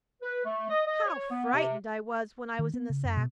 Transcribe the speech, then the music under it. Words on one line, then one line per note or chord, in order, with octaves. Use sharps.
How frightened I was when I was in the sack!
B4
A3
D#5
D#5
C#5
B3
C3
D#3
B3
C#3
F#2
B2